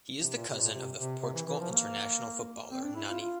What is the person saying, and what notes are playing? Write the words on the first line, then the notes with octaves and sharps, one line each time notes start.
He is the cousin of the Portugal international footballer Nani.
C3
A#2
C3
A#2
C3
C3
C3
E3
E3
F3
A#3
C4
D4
E4
F4
F4